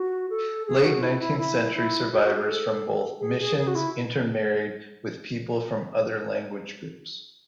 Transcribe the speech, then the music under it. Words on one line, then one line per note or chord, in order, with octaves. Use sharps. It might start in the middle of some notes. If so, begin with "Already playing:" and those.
Late nineteenth century survivors from both missions intermarried with people from other language groups.
Already playing: F#4
A4
G#4
F#4
E4
E4
E4
E4
F#4
F#4
G#4
A4
G#4
G#4
G#4
F#4
E4